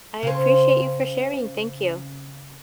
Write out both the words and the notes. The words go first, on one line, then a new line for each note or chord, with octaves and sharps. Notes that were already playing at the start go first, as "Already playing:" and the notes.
I appreciate you for sharing, thank you.
C#3 C4